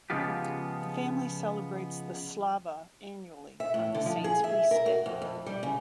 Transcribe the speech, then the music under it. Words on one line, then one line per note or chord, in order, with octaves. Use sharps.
The family celebrates the Slava annually on the saint's feast day.
C#3 F3 G#3 B3 F4 G4
E5
A2
D3
F3
G#4
E5
A#4
F#4
F2
F2
G3
C#3